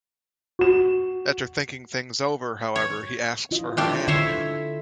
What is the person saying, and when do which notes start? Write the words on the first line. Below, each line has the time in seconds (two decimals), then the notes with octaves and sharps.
After thinking things over, however, he asks for her hand again.
0.59 F#4 E7
2.76 C#5
3.51 E4 F4 D#5
3.77 A3 D4 G4
4.08 D3 E4 A4 C5 C#5 E5